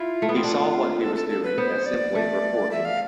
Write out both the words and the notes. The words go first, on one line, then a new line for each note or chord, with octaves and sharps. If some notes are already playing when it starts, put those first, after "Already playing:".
He saw what he was doing as simply reporting.
Already playing: E4 F4
A3
B3
C4
D4
A4
A4
A4
B4
B3 C5
D5
A3
E5
F5